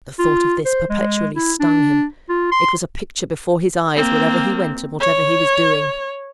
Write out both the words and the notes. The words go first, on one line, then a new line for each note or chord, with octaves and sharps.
The thought of this perpetually stung him; it was a picture before his eyes, wherever he went and whatever he was doing.
F4
C5
G#3
E4
D4
F4
C6
A#3 C4
C#5